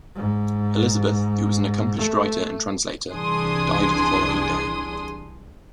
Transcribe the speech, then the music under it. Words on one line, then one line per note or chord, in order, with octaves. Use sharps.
Elizabeth, who was an accomplished writer and translator, died the following day.
G#2
A3
C2 E3 D4 G#4 C6 D#6